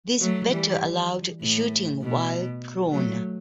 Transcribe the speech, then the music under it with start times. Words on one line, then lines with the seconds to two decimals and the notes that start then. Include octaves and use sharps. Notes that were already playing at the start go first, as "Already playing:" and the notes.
This better allowed shooting while prone.
0.21 F#3 A3
0.51 E3 G3
1.42 A2
2.02 B2
2.92 F#3 A3